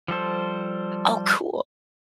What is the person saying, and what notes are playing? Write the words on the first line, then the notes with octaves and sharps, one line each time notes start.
Oh, cool.
F3 G3 A4 C5